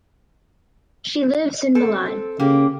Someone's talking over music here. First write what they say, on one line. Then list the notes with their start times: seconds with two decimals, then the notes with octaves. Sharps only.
She lives in Milan.
1.75 C4 A4
2.39 C#3 A#3 G4